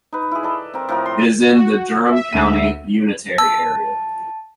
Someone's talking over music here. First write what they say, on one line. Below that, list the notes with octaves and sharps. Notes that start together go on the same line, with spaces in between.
It is in the Durham County Unitary area.
D#4 B4
E4 G#4
A4 D5 D#5
C4 A#4
A2 F3 A#4
C6
F#4
E5
D2 D#7
A5 E6